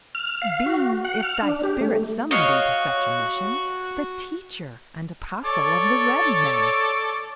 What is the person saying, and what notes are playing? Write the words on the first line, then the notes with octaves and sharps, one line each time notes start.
Be, if thy spirit summon thee to such a mission, the teacher and apostle of the red men.
F6
F5
F#4
F#5
F6
D4
G4
A3
F#4 C#5 D#5 F5
A4 C#5 D5